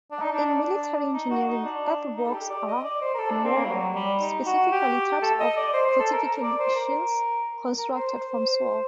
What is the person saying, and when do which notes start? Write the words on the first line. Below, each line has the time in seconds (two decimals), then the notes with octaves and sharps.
In military engineering, earthworks are, more specifically, types of fortifications constructed from soil.
0.11 D4
0.22 D#4
0.32 D4
0.62 D4
1.14 D#4
1.31 F#4
1.48 D#4
1.65 D4
2.16 D#4
2.27 A4
2.33 G4
2.50 D5
2.67 D#5
2.84 D5
3.01 C5
3.14 A#4
3.18 A4
3.31 D4
3.44 C4
3.56 A#3
3.65 G3
3.69 F#3
3.95 G3
4.21 D#4
4.46 F#4
4.71 G4
5.22 A4
5.40 D#5
5.57 D5
5.73 C5
5.87 C5
5.99 A4
6.12 A#4
6.25 A#4
6.42 D5
6.59 C5
6.76 A#4
7.78 A#4
7.95 C5
8.12 C5